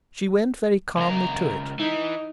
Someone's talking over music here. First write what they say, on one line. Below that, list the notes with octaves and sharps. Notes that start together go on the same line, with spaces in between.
She went very calmly to it.
C#2 A#4
E3 D#4